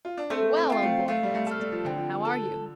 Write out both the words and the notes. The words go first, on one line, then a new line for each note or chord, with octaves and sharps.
"Well, old boy!" he asked, "how are you?"
F4
D4
A3 C4
C4
C4 F4
A3
A3 F4
G3
A3
A4 F5
G3
F3
D3 C4
F3
A4